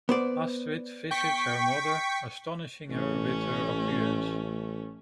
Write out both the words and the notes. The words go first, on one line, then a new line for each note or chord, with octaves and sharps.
Astrid visits her mother, astonishing her with her appearance.
B3 C5 D5
G5 C#6 B6
A1 A3 C#4